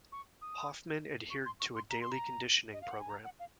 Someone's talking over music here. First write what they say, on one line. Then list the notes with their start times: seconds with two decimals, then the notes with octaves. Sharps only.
Hoffman adhered to a daily conditioning program.
0.12 C#6
0.41 D#6
1.30 C#6
1.46 C6
1.60 C#6
1.75 C6
1.90 A#5
2.01 C6
2.11 A#5
2.73 D#5
2.81 F5
2.91 F#5
3.00 G#5
3.09 A#5
3.24 F#5
3.39 F5